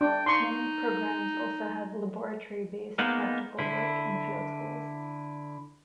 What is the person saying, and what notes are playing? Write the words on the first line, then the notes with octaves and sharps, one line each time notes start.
Many programmes also have laboratory-based practical work and field schools.
D4 G5
D#4 C6 C#6
G#3 A#3 B3 D#4
D3 E4